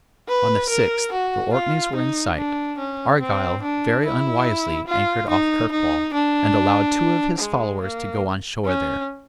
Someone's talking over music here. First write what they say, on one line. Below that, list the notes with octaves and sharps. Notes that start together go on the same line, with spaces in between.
On the sixth the Orkneys were in sight. Argyle very unwisely anchored off Kirkwall, and allowed two of his followers to go on shore there.
B4
A#4
F#4
F4
D#4
D4
C#4
C4
D4
E4
F4
D#4
D#4
D4
G#3
A#3
C#4